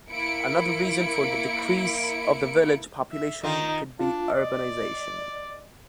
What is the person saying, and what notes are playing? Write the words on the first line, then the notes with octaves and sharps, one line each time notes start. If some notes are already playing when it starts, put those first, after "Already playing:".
Another reason for the decrease of the village population could be Urbanisation.
A#3 E4 C#7 D7
E5
D#3 D#4 F4
D4 F4
D5 D#5